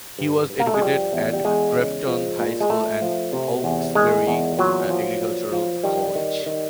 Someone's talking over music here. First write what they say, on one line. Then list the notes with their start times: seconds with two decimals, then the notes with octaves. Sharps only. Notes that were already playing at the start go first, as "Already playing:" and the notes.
He was educated at Grafton High School and Hawkesbury Agricultural College.
0.19 G2
0.50 G2
0.59 A#3
0.67 A3
0.74 G#3
0.82 F3 G3
1.13 E2
1.33 G3
1.45 E2 G#3
1.76 C#3
2.07 F3
2.39 A#2
2.60 G#3
2.70 A#2 A3
3.02 F3
3.33 C3
3.64 E2
3.95 D#3 G#3
4.27 E2
4.58 A#2 F#3
4.90 F3
5.21 A#2
5.52 F3
5.84 D#3 G3
6.15 D#3
6.46 D#3